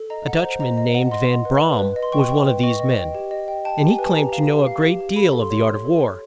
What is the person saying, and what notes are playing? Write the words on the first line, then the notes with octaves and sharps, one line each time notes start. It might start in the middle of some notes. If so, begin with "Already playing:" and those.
A Dutch-man, named Van-Bra-am, was one of these men, and he claimed to know a great deal of the art of war.
Already playing: A4
D#5 A#5
F#5
C5 A#5
D#5 A#5
D#5
F#5
D#5 C6
F#5
B4
B4
B4
D#5
C6
G5 C#6
G5
B4
D#5 C#6
D#5
G5
G4
D#5
G5
G5 A5
G4 A5
G#5
B4 A5
G4 A#5
F5
G4
F5
G4
G4
A4 B5
A4
C6
C#5
C#5
A4
C#5